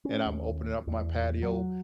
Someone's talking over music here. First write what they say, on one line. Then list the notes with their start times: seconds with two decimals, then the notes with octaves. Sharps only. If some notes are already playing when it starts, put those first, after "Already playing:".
and I'm opening up my patio,
0.05 C#4
0.26 D#2
0.87 E2
1.42 F#3